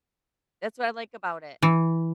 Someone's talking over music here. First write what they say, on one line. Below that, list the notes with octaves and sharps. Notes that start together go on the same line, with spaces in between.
That's what I like about it.
E3